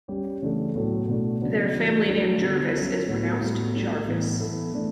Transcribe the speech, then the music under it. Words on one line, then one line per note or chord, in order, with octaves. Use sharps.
Their family name Jervis is pronounced 'jarviss'.
G3 C#4 G4
C#3 E3 A3 D4 A4
A2 F#3 B3 F#4 A4
B2 A3 D4
C#3 F#3 B3 D4
E3 G3 D4 F#4
F#3 A3 D4 F#4 A4
D3 G3 B3
F#3 C#4 F#4 A4
A2 F#3 B3 F#4
A2 G3 B3 F#4 A4
A2 G3 D4
A2 E3 B3
E3 B3 E4 A4
E3 A3 D4 A4